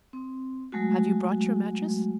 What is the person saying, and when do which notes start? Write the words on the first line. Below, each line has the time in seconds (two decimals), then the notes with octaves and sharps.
Have you brought your mattress?
0.13 C4
0.72 F#3 G#3 A3 F#4